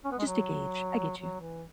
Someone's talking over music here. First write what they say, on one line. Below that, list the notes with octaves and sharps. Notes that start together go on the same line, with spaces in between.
Just to gauge. I get you.
C#4
B3
G#3
F#3
F#3
E3